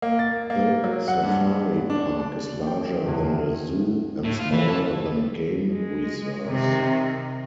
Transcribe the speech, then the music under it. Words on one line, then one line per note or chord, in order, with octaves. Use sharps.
A safari park is larger than a zoo and smaller than game reserves.
A#3
A6
A#3
F#3
F#5
G2
D4
G5
E2 D3
A2
F4
E3
A4
G#3
C3 D#3